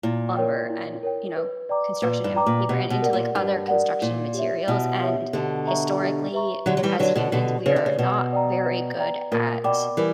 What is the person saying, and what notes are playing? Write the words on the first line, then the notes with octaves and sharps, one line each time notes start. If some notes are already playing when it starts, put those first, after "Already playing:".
lumber and, you know, construction and paper and into, like, other construction materials and, historically, as humans, we are not very good at,
A#2 E4
A#4 C#5 G5
E4
A#4 C#5 G5
B4
D5 G5 A#5 D6
A#2 B4
G2
D5 G5 A#5 D6
A#2
B2 G4
B2
A#4 D5 F#5
A#2
G2 G4
A#4 D5 F#5
A#2 E4
G4 C#5 E5
B2 E4
G4 C#5 E5
B2 D3 G4
B4 E5 A#5 C#6
G4
B4 E5 A#5 C#6
D3 F#3 G4
F#3
E3 G3
D3 F#3 B4 D5
B2 D3
B2 D3 G4
C#3 B4 D5
D3
C#3
B2 B4
D5 G5 A#5
B4
D5 G5 A#5
A#2 A#4
B2 D5 G5 B5 D6
E3 G3 A#4